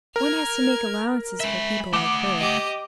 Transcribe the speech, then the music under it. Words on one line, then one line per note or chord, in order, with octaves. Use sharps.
One has to make allowances for people like her.
A#4 F6 G#6
G#3 E5 B5
A3 F#5 D6
G4 D#5